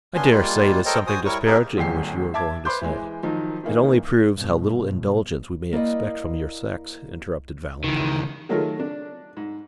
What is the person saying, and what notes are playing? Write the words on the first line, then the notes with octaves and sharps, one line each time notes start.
"I dare say it is something disparaging which you are going to say. It only proves how little indulgence we may expect from your sex," interrupted Valentine.
G2 B3 C#4 D4 G#5 C6
G3 G#3 A#3 F4
A4 A#4 C5 C#5 D#5 G5
F#4 C5 G#5 D#6
G3 E4 A#4 C#5 C#6
A#3 C4 D#4 G4 G#4 A#4
D#1 G#1 G#3 G5 C7
E5 A5 D6 G#6
B4 C5 B5 C6 D6 G6
E3 G#3
D#3 F3 F#3 D#4
D#3 E3 A#3 D#4
G2 B2
A#3 E4 D5 D#5
C#2 D#3 E3
D#3 F#3 G#3 A3 F4 A#4
D4
G#2